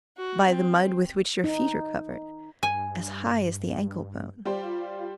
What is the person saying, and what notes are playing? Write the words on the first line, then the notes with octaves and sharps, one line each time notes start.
"By the mud with which your feet are covered, as high as the ankle-bone."
F#4
C4
D#4
G2 G#5
G3 F4 G4 C5